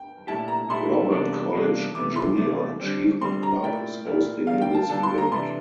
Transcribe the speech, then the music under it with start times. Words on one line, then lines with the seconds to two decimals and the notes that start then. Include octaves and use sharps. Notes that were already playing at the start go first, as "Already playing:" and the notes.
Robert College Junior Achievement Club is hosting this event.
Already playing: G5
0.27 A#2 A3 E4 G4 A5
0.48 A#5
0.69 A#2 A3 E4 G4 C6
1.11 E2 C3 G3 A#3 D4
1.53 E2 C3 G3 A#3 D4
1.95 E2 C3 E3 A3 D6
2.16 C6
2.37 E2 C3 E3 A3 D6
2.80 D3 G3 C4
3.21 D3 G3 C4 C6
3.43 A#5
3.63 A#2 A3 E4 A#4 D5 G5
4.05 A#2 A3 E4 A#4 D5
4.47 D3 G3 A#3 F5
4.62 G5
4.75 A5
4.89 D3 G3 A#3 A5
5.03 C6
5.18 A#5
5.31 C3 E3 A3 D4 C6